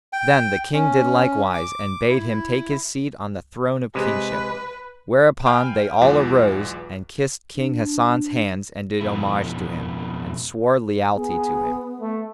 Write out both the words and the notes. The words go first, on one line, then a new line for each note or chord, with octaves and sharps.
Then the King did likewise and bade him take his seat on the throne of kingship; whereupon they all arose and kissed King Hasan's hands and did homage to him, and swore lealty to him.
G5
C#4
D6
E4
C3 G#3 B4
F5 G5 G#5 B5 F6
B1 E2 E3 G#3 F4 D6
D4
F2 B2 E4
B3 G#4
A3